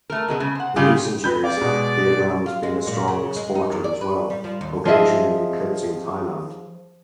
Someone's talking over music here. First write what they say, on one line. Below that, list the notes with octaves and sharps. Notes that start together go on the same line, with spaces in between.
In recent years, Vietnam has been a strong exporter, as well, occasionally eclipsing Thailand.
A3 A#4
B2 G#3 A4 B4
C#3
C5 F#5
C#3 G3 F4 G4 G#4
B4 B5 G6
D5 F5
B2 G#3
F4
G#3
A#2
C#3
G#3
D#4
F#2
D5
B4
G3
F3
D#2
F3 G#4 D#5 E5